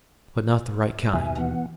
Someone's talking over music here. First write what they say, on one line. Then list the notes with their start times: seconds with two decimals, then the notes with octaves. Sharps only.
But not the right kind.
1.13 D#2 B2 E5 G#5
1.38 E3 B3 F#5